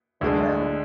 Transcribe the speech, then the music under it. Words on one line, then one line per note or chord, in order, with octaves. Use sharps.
And now
D2 D3 G#3